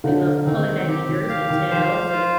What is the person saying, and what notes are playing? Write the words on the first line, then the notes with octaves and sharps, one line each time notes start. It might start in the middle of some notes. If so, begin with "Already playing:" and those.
They love pulling their ears and tails and,
D3 D#4
D#3 C4
D#3 G4
D#3
F5
D#3
F3 C5
F4